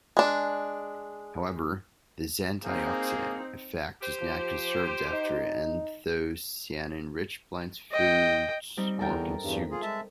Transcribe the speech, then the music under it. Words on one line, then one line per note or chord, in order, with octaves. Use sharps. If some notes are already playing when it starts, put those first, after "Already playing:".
However, this antioxidant effect is not conserved after anthocyanin-rich plant foods are consumed.
G#3 D4
A#3 C4 D#4 G#4
G4 C5
F3
D#4
D#5 G5
G3 C4 D#4
E2 A4 A#4 G5
E2 G2
F4 G#4
G#3 E5 A5